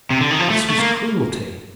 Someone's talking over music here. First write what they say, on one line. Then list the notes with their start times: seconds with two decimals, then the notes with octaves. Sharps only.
This was cruelty.
0.10 C3
0.21 D3
0.31 D#3
0.39 F3
0.50 A3
0.70 A3
0.80 A#3